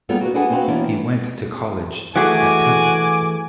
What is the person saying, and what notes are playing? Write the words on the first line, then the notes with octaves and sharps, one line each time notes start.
He went to college at Temple.
G3 A#3 B3 F4 G#4 A4
F#4 B4
D4 G#4 A4 B4 F#5 G#5
C4 F#4 B4 F5 F#5
E3 A#3 B3 C#4 D4 E4
E3 A3 F#4 G#4 G#5 D6